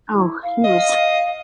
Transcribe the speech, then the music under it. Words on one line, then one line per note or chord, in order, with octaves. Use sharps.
Oh, he was
E4
F5
D#5